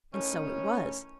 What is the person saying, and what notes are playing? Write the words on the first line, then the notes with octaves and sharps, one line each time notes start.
And so it was.
A2 D#3 C#4